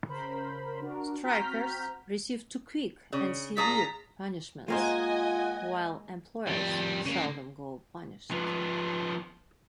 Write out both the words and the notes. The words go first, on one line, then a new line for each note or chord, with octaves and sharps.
Strikers receive too quick and severe punishments while employers seldom go punished.
C#3 A#4 C5 B5
D4 F#4 A#4
C4 F#4 A#5 F6 G6 B6
C#3
A#2 G#4 A5 A#5 B6
G#3 A#3 F4 C5 D#5 F#5 G#5
F2 G3
C#3 A#3
F3 B3